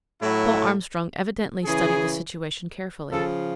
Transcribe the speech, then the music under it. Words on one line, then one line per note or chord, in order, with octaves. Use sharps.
Paul Armstrong evidently studied the situation carefully.
A2 F#3 E4
C#3 E3 G#4
C#3 F3 A4